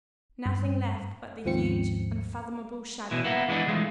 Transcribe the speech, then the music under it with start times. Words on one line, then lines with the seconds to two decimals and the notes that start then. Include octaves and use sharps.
Nothing left but the huge, unfathomable shadow.
0.46 G2
1.45 D#2 G#2 F3 C4 C#7
3.11 B2 E3
3.24 A#3 B3 E4
3.48 E3 G#3 B3 D4
3.68 E3 G#3 A3 F4